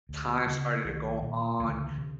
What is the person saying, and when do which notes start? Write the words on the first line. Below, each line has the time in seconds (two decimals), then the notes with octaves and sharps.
time started to go on,
0.09 D2
0.47 C#3
0.85 C2 D#3 F3
1.22 A#2
1.59 C#2 D3 E3
1.98 C3